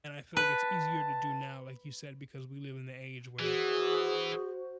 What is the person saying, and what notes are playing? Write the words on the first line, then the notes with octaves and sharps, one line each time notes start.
And I feel like it's easier to do now, like you said, because we live in the age where,
B4 A5
E3 F#4 G#4 C5